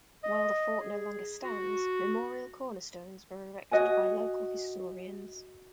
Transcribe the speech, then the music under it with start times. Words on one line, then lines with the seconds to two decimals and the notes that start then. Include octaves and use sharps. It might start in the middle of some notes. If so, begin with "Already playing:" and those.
While the fort no longer stands, memorial cornerstones were erected by local historians.
0.24 D#5
0.81 G#4
1.43 F#4
3.71 F#4 D#5 F#5 G#5